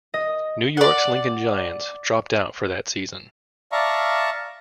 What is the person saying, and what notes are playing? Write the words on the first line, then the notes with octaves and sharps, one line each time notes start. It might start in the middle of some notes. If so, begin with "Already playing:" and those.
New York's Lincoln Giants dropped out for that season.
D#5
D5 F#5
D5 E5 F5 A5 A#5 C#6